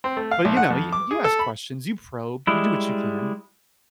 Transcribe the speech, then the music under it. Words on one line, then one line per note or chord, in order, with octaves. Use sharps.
But, you know, you you you you ask questions, you probe, you do what you can.
C4
A3
F5
B1
F#5
F2
D6
G#4
A4
B5
G3 G#3 E4